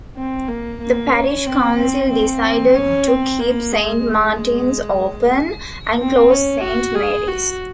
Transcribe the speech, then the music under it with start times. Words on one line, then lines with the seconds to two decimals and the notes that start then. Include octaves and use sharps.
The parish council decided to keep Saint Martin's open, and close Saint Mary's.
0.17 C4
0.48 A#3
0.82 A#3
1.13 C#4
1.46 C4
1.78 C4
2.10 C4
2.75 C#4
3.07 C4
3.40 A#3
3.73 G#3
4.05 G#3
5.99 C4
6.31 C#4
6.64 F#4
6.95 G#4
7.28 F#4